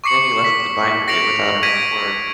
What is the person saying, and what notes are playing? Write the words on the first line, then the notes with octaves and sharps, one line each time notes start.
Then he left the bindery without another word.
C#6 D6 C7 C#7 F#7
B6
A#6 C7 D7 F7 F#7
G#6 A#6 B6 D7 D#7